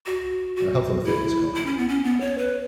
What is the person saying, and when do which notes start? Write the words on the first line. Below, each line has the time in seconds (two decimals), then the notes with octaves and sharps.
A health and fitness company.
0.06 F#4
0.56 F#4
1.05 E4
1.55 E4
1.66 C#4
1.78 B3
1.88 C#4
2.04 B3
2.21 C#5
2.38 B4